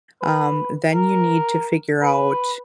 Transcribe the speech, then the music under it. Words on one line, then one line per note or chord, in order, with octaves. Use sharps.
um, then you need to figure out
B4
A#4
B4